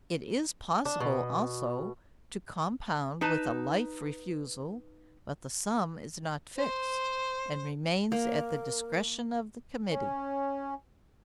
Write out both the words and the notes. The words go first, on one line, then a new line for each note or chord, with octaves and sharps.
It is possible also to compound with a life refusal, but the sum is not fixed, and remains at the discretion of the committee.
D4
B2
D#4 B4 A5
C5
A#3 A#4
C#4